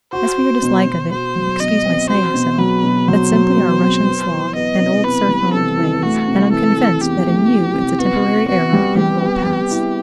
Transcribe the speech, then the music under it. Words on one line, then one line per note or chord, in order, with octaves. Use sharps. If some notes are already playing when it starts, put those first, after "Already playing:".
"As for your dislike of it, excuse my saying so, that's simply our Russian sloth and old serf-owner's ways, and I'm convinced that in you it's a temporary error and will pass."
F#4 C5
F#4
B2
B2
F#4 C5
F#3
B2 D#5
C4
F#4 C5
B2
F#3 B4
B2
F#3 C5
F#3
B2
C4
B3
E3
B3 D#5
C3
B3 B4
G3
C3 A4
E3
A3 F#4
C3
E3 A4
E3
E2 G4
A3
A3
C3
B3 F#4
B3
B3 F#4
G3
G3 G4
B3
B3
E4